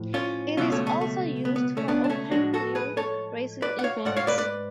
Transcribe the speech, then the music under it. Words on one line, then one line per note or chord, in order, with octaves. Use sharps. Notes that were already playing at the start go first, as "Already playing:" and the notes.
It is also used for open wheel racing events.
Already playing: A2 F3
C#4 F4
C#2 B2 F#3 C#4 F4
A3 C#4
A3
A3
B3
B3
A3 C#4
B3 D4
D4
A3 C#4
A2 F3 G#3 D4 F#4
F#4 A4
G#4 B4
A4 C#5
B4 D5
F#5
C#5 F5
G#2 G#3 D5 F#5
C#5 F5
B4 D5
B4 D5